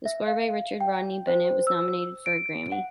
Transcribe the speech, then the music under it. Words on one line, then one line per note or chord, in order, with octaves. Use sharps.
The score by Richard Rodney Bennett was nominated for a Grammy.
E5
F5
G5
C5
E6
D7
F#5